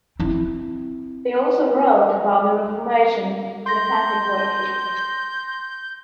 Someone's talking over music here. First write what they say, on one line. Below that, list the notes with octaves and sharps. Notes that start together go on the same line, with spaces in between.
They also wrote about the reformation of tanka poetry.
C4 E4
C6 G6 A#6